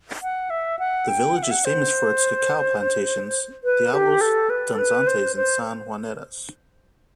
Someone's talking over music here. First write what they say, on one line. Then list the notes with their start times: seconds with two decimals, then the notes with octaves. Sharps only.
The village is famous for its cacao plantations, Diablos danzantes and San Juaneras.
0.22 F#5
0.50 E5
0.79 F#5
1.08 G5
1.36 F#5
1.43 E5
1.51 F#5
1.65 C5
3.64 B4
3.94 G4
4.21 A4
4.50 B4
4.73 A4
4.78 B4
5.07 C5
5.36 C5